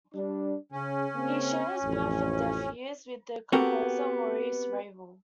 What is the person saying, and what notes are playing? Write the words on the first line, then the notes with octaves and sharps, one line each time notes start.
He shares birth and death years with the composer Maurice Ravel.
G3 D4
C#3 C#4
C#3 A#3 C4
A1 F2
B3 C4 F#4 G4 A4 A#4